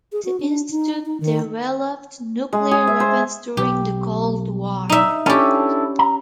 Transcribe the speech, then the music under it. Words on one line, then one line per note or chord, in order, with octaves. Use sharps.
The institute developed nuclear weapons during the Cold War.
G#4
F#4
D4
D#4
D#4
D#3
G#3
G#4
E5
C5
B1 G4
D#4 E5
C#4 D4 E4 G4 A4
A#5